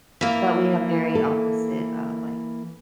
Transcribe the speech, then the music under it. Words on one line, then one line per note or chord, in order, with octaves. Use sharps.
but we have very opposite, uh, like,
E3 A#3
A4